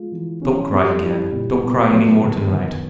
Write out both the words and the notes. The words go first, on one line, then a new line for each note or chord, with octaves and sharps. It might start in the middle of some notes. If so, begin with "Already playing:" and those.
'Don't cry again. Don't cry any more to-night.
Already playing: G#3 F4
E3
C#4
G3
E4
A#2
B3
F#3
D#3
D#3